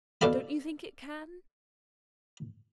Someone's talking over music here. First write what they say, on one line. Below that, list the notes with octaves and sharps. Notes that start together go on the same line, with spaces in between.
Don't you think it can?'
B2 A4 D5 F5 B5